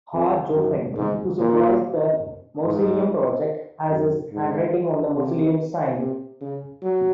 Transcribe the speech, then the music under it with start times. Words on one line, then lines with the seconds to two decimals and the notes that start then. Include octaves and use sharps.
Hua Guofeng, who supervised the mausoleum project, has his handwriting on the mausoleum's sign.
0.14 F2
0.55 F#2
0.97 G#2
1.39 A#2
2.65 G#2
3.91 F#2
4.33 G#2
5.16 C3
6.00 C3
6.41 C#3
6.83 F#3